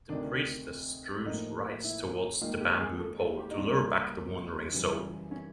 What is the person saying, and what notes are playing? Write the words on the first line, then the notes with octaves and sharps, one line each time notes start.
The priestess strews rice towards the bamboo pole to lure back the wandering soul.
D2 C3 D#3 D4
A2 F3 A#3 D#4
E4
D#2 D#3 G#3 F4
G4
G#4
A4
A4
G4
D#4
C#2 B2 G3 A#3 D4
F#2 C#3 E3 G3
C#4